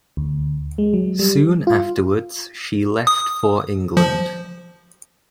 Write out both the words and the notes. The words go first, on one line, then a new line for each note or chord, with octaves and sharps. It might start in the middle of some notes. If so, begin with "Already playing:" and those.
Soon afterwards she left for England.
D2
G#3
F#3
G3
F4
D#6
F3